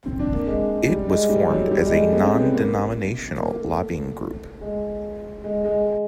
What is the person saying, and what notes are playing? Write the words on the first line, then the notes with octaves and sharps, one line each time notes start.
It was formed as a non-denominational lobbying group.
C4
D4
A#3
G#3
G3
G#3
G3
F#3
G3
G#3
A3
B3
C#4
C4
B3
A#3
A#3
A3
G#3
G#3
G#3